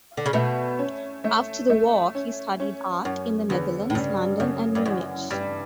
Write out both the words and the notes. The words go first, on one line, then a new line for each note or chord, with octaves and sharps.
After the war he studied art in the Netherlands, London and Munich.
D3
C#3
B2 A3
C#4
A3
A3
C#4
C#4
F#2 C#4
E2 D3
A2
G2 C#3
F#2 C#3
G2
F#2 E3
G2 G3